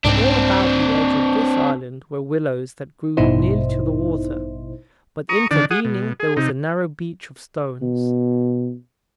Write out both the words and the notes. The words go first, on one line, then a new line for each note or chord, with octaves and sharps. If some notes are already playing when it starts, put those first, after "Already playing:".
All about the edge of this island were willows that grew nearly to the water, but intervening there was a narrow beach of stones.
C2 G#2 C4 D4
A1 G2 B2 D#4 E4 C5
A#5 C#6 D#6
D3 D#3 D4 D5
G#4 F#5 D#6
B2
G#4
C3 D#4
B2